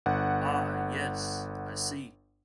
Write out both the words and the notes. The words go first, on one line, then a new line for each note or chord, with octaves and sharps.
'Ah, yes, I see!
G1 F#5